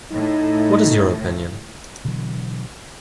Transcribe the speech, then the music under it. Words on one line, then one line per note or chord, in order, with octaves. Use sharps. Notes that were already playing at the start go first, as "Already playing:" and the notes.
What is your opinion?
A2 D#4
B2 D3 E3 F#3